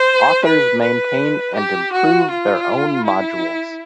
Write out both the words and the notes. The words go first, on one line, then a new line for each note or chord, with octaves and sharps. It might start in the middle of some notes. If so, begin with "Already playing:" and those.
Authors maintain and improve their own modules.
Already playing: C5
B4
B4
G4
F#4
F4
E4